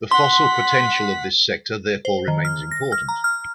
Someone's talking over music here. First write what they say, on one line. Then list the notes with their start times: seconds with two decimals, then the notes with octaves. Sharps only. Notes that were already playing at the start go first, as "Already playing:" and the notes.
The fossil potential of this sector therefore remains important.
0.11 F#5 C6 B6
2.05 C5
2.28 D#3
2.45 F6
2.71 A#6
2.92 F6
3.09 A#5
3.24 F6